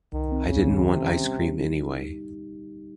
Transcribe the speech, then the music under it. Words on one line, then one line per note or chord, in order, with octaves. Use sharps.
I didn't want ice cream anyway.
C2 D#3
C4
D#2 C#3
D#3
C3 C#4
C#4
G3
G4
D#4